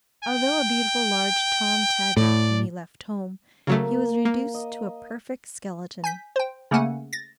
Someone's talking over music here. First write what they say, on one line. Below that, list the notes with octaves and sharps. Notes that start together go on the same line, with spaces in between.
Although a beautiful large Tom tabby when he left home, he was reduced to a perfect skeleton.
G5
A2 D5
C#3 F#3 A3 A#3
A#3
D#5
G#5 G6 B6
C5 G5
C#3 A3 A#3 C#4 F#5 G#5
A6 A#6